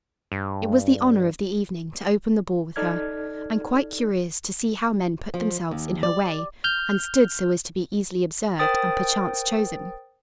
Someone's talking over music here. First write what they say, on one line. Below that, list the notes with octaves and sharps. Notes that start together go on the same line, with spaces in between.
It was the honor of the evening to open the ball with her, and quite curious to see how men put themselves in her way and stood so as to be easily observed and perchance chosen.
G2
D#4 A4 D5 F6 G#6
F3
D#2
D5
F6 G6
A#4 C5 G5 D#6 A6